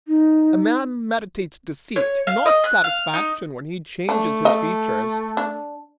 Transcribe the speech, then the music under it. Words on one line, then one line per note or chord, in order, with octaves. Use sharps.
A man meditates deceit, not satisfaction, when he changes his features!
D#4
C#5
F5
D#5
F#6
F5
D#4
A3 D4
D#5
D4